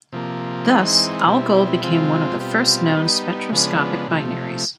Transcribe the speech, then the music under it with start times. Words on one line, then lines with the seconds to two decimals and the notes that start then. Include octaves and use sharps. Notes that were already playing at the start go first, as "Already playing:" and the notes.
Thus Algol became one of the first known spectroscopic binaries.
0.13 C3 F3 A#3
0.69 E3 G#3 C4 D#4
1.26 B2 G3 C4 E4
1.82 C3 F3 G#3 C4 F4
2.38 B2 G3 C4 F4
2.95 G3 B3 D#4
3.51 C#3 F3 G#3 B3 D4
4.08 C3 F3 A3